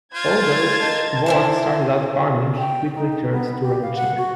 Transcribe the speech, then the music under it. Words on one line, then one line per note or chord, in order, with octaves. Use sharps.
Although Vaughn started out farming, he quickly turned to ranching.
F4 C5 F6 G#6 A6
A#4 D#5 A5
E4 C5 A5
G5
D#4
B3
G4
F5
F#5
F#4